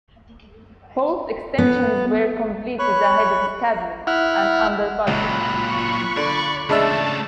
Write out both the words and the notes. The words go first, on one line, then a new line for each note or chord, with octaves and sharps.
Both extensions were completed ahead of schedule and under budget.
B3
C#5 B5 C#6 F#6
E4 F#5 F6
C#2 A#2 F#3 F4 B5 F#6
C#6
D3 D5
C#3 G#3 A3 D4 E5 A5